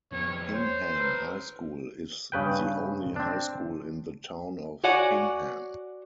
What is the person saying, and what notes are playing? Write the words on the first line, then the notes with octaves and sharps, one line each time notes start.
Hingham High School is the only High School in the town of Hingham.
F2 B3 C4 C#5
C5 C#5
A4 B4
G2 C#3 B4 G5
C4 D4
F#4 C#5 D5 F#5 G#5